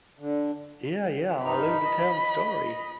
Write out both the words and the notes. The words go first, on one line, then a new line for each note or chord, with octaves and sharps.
Yeah, yeah. I lived to tell the story
D3
G2 D#4 B5 F6
D#5